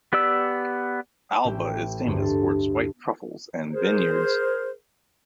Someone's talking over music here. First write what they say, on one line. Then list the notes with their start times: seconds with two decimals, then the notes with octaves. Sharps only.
Alba is famous for its white truffles and vineyards.
0.13 B3 G4 D5 E6
1.44 A1 E5 G5
2.05 G#1 D2 G2 C5
2.22 A4
3.72 G#4 A#4 C5